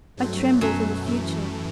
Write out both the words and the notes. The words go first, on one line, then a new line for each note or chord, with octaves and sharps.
I tremble for the future.
G2 F#3 A3 C4
F#2 B2 F#3 A3
A2 E3 A3